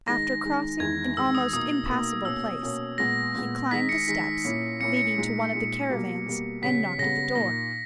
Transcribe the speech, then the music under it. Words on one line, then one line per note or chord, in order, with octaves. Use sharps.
After crossing an almost impassable place, he climbed the steps leading to one of the caravans and knocked at the door.
D#3 G#3 D#4 A#6
D#3 G#3 D#4
E2 D#3 G#3 G#6
E2 D#3 G#3 E6
D#6
B2 A#3 D#4 D#6
B2 A#3 D#4
B2 A#3 C#4 E6
B2 A#3 C#4
A#2 G#3 B3 A#6
A#2 G#3 B3
D#3 G#3 D#4 B6
C#7
D#3 G#3 D#4 B6
A#2 A#3 C#4 E4
A#2 A#3 C#4 E4 C#7
C#7
A#2 G#3 D#4
A#2 G#3 D#4
B2 G3 A#3
B2 G3 A#3
C#3 G3 B3 B6
C#3 G3 B3 A#6
A#2 A#3 D#4 A#6